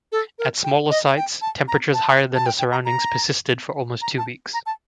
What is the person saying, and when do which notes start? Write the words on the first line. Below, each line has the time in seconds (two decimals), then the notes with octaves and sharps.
At smaller sites, temperatures higher than the surroundings persisted for almost two weeks.
0.12 A4
0.39 A#4
0.64 G5
0.90 D#5
1.17 G5
1.42 A5
1.68 A#5
1.94 A5
2.35 A5
2.46 G5
2.59 G5
2.72 A#5
2.85 A#5
4.02 A#5
4.18 A5
4.54 A#5
4.66 A5